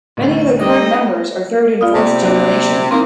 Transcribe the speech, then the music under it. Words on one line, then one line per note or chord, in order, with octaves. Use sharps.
Many of the current members are third and fourth generation.
A1 D2 A3
G3 D4 D#4 D#5 G5
A#3 B3 F4 D5 F5 D#6
C3
F#3 D4 F#4
A#3 C4 D#4 E4